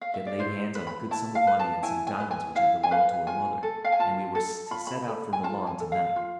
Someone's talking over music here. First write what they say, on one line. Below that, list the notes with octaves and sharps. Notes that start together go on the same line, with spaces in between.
She had laid hands on a good sum of money and some diamonds which had belonged to her mother, and we were to set out for Milan to-night.
F5
E5
D5
E4 C5
B4
B5
E4 A5
F5
B4
A5
E4 G#5
G#5
B4
G#5
E4 F5
G#5
B4 F5
F4 G#5
A4
F5
G#5
F4 A5
A4
F4 B5
B5
A4
G#5
F4 A5
G#5
A4
F5
F4